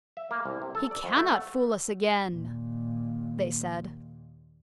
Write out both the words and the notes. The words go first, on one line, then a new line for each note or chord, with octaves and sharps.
"He cannot fool us again," they said.
E5
A#3
C2
C3
A4
D5
F2
A3
F#5
D#2 A#2